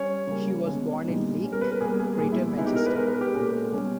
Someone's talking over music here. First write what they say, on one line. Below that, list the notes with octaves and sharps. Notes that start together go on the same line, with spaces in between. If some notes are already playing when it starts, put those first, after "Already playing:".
She was born in Leigh, Greater Manchester.
Already playing: G3 C#4 C#5
C#3 G3 A#3 C#4
B2 G#3 C#4
A#2 G3 B3 D#4
B2 G3 C#4
A#4
B4
A#4
B2 G3 A#3 G#4
G#4
A#2 G3 B3 G#4
E4
B2 G#3 B3 D#4 E4
G4
A#4
B4
B2 G#3 D#4 A#4
B4
G4
A#2 G#3 C#4
B2 G3 C#4